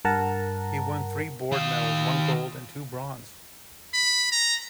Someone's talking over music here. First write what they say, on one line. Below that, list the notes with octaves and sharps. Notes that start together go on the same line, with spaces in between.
He won three board medals, one gold and two bronze.
G2 A#4 F#5 A5 A#5
D#3 F5
B5
A#5